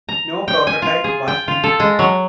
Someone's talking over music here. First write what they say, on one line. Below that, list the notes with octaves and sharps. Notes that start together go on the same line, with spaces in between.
No prototype was built.
A#5
G5
G#5
F4
G#4
G5
F4
A4
G#3
F#3